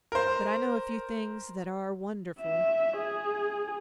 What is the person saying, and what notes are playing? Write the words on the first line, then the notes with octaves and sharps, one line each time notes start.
But I know a few things that are wonderful.
A#4 C5
E5
G#4